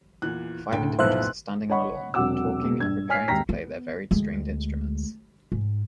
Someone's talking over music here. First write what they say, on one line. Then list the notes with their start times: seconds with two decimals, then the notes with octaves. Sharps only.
Five individuals are standing on a lawn, talking and preparing to play their varied stringed instruments.
0.22 E2 A#2 E3 F#6
0.72 D2 A2 G5
0.99 F1 B1 F3 B3 E4 C5 E5 F#6
1.70 C#5 D#5 F#5 B5 C#6
2.14 E1 C3 F#3 F#5 D6 E6
2.62 B2 G#3 A#3
2.79 A#1 G2 G#6
3.09 C#5 G#5 F6 B6 C7
3.28 G#1 D#2 G5 A#5 A#6 B6
3.49 B3
4.11 D2 G#3
5.52 G#2